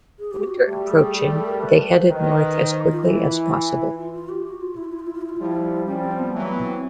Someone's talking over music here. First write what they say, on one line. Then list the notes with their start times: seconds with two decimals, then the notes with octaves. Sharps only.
With winter approaching, they headed north as quickly as possible.
0.19 G#4
0.31 G4
0.44 F#4
0.54 G4
0.67 G3 A3 G4
0.91 G#4
1.14 G#4
1.30 A4
1.46 A#4
1.61 B4
1.74 A#4
1.85 B4
1.96 C5
2.09 D#3 B4
2.56 C5
2.68 C5
2.92 F4
3.03 E3 E4
3.98 F4
4.14 F4
4.29 G4
4.45 F#4
4.61 F4
4.77 E4
4.84 F4
4.92 E4
4.99 F4
5.07 E4
5.14 F4
5.21 E4
5.29 F4
5.36 F3 G3 E4
5.87 F3 G3 C#4
6.04 C4
6.19 B3
6.34 E3 F#3 A3
6.51 B3
6.66 C4